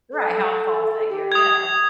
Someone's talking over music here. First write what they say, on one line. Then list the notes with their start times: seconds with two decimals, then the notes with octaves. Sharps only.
Right, how it falls that year, yeah.
0.13 A4
1.10 G4
1.32 D#6 G#6